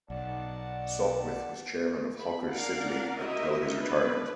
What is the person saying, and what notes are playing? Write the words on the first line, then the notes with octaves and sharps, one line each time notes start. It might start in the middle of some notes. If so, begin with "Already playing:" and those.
Sopwith was Chairman of Hawker Siddeley until his retirement.
B1 D5 F#5 A5
B5
A#3 D4 A#4 D5 F5 F#5
E4 F#4 G4 A#4 D#5 E5
D4 B4